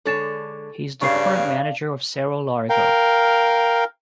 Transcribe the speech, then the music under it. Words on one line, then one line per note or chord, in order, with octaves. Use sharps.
He is the current manager of Cerro Largo.
D3 G#3 A4 C#5 A6 E7
G2 C#3 D4 F5 C#6 C7
A#4 F5 G5